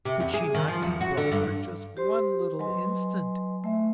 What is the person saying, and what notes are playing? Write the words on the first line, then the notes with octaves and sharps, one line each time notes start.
Could she not be brought for just one little instant?
C3
E2
G#4
D#3
F3
E2
F#4
D3
G2
G4 C5 C6
F#3 B4 D#5 G#5 C6
A3 E5